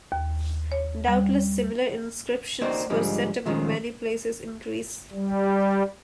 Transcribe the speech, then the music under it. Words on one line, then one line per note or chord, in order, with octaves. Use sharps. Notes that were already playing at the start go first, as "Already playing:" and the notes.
Doubtless similar inscriptions were set up in many places in Greece.
D#2
C#5
G3
A#3 C4 D#4 F#4 C5 D5
G#2 D3 F3 G3 G#3
A#2 D#3 F3 G#3 C#4
G3